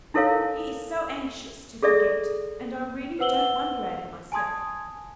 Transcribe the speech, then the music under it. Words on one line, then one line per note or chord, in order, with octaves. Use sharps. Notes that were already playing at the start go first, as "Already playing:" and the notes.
He is so anxious to forget, and I really don't wonder at it myself.
D#4 E4 A4 A#4 C#5 F5
G#4 A4 D5 E5
B4 C5 F#5 E6 F#7 G7
G#5 A5 C6 D#6 G#6